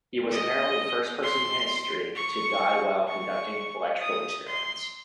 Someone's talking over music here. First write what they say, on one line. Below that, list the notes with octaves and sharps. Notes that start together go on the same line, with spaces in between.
He was apparently the first person in history to die while conducting electrical experiments.
D#5
C6
C#6
C#6
D#6
C6